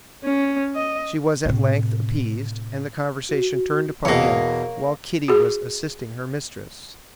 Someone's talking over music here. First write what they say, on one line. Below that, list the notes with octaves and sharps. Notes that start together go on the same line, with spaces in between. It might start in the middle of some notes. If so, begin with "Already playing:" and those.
She was at length appeased, and the conversation turned upon him while Kitty was assisting her mistress.
C#4
D#5
A2 C3
F#4
E2 B2 A#3 C#5
F#4 G#4